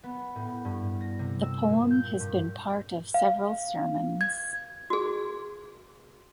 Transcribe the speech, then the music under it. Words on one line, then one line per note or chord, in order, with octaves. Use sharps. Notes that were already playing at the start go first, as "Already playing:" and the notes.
The poem has been part of several sermons.
B3
A2
G2
A#6
C3
E6
A#2
G6
G2
F5
G#6
F#4 G#4